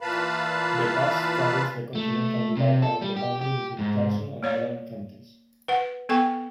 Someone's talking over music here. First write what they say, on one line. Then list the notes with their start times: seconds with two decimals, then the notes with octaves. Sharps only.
The pass straddles the continental divide along the boundary between Jackson and Grand counties.
0.01 A#2 E3 B4 F5 A5 B5
1.95 A3
2.57 C3
2.82 A4
3.01 G3
3.16 G4
3.41 G4
3.79 G#2
4.43 A#3 C#5 D5 F5
5.68 B4 F#5
6.09 B3 A4 G5 G#5 C#6